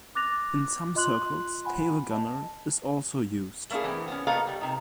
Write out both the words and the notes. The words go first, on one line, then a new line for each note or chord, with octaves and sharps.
In some circles, "Tail Gunner" is also used.
D6 F#6 A6 A#6 F7
F4 D#5 C6 F#6 F#7
F#5 G#5 B5
D#5 A5
A3 A#3 D4 E4 G#4
E3 B3 C4
B3 C#4
A#3 B3 F#4 A4 D#5 F5
G3
C3 D#4